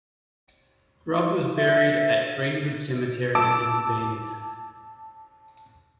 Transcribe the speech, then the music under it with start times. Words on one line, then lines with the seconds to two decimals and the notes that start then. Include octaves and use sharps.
Grubb was buried at Greenwood Cemetery in Bend.
1.57 E5
3.35 A5 D6 E6 D7